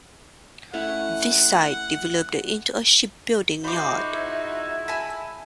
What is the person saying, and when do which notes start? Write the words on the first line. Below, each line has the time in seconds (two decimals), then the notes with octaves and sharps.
This site developed into a shipbuilding yard.
0.73 A3 C#4 E4 F#5
3.64 G#3 D#4 F4 F#4 C5 E5 B5 D6
4.12 E4
4.88 G#5 A5 B5